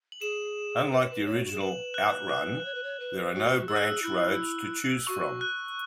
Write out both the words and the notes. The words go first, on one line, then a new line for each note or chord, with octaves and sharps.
Unlike the original "Out Run", there are no branch roads to choose from.
F#7
G#4 E7
B4
C#5
B4
C#5
F#4
G#4 E7
B4 F#7
F#6
B4 F#6
C#5
B4
C#5
B4
F#4
G#4 E6
F#6
E6
E4
F#4 C#6
F#6